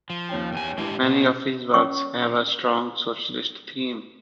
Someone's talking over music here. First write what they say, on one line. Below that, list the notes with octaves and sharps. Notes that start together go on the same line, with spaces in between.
Many of his works have a strong socialist theme.
F3
D#2 C#4 G5
E2 G#5
A1 E3 G#3 D4 G4 C7
B2
C#4 C#5 G5 C#6